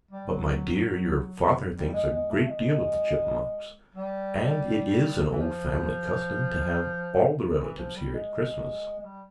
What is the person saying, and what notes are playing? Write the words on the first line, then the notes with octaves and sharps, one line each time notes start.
"But, my dear, your father thinks a great deal of the Chipmunks; and it is an old family custom to have all the relatives here at Christmas."
G3
F#3
G3
G#3
G#3
A3
G#3
G3
E3
F3
E3
F3
G3
G#3
G#3
G3